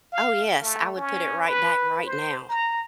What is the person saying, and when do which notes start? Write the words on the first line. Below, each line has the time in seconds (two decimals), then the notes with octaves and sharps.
Oh yes, I would put it right back, right now.
0.13 F5
0.62 A3
0.96 C#4
1.47 B4
2.06 C5
2.49 A#5